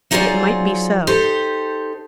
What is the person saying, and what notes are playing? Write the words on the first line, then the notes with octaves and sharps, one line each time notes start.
It might be so.
F#3 D#4 F4 G#4 C5 D5
D#4 G4 A4 C5